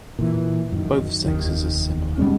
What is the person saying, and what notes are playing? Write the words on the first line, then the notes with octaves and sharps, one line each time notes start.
Both sexes are similar.
A#2 E3
F#2 D#3
F1 D#2 D#3
B2 G3 G#3 C#4